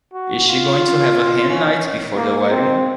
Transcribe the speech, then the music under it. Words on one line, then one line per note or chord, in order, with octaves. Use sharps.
Is she going to have a hen night before the wedding?
F#4
F4
C#4
A#3
C4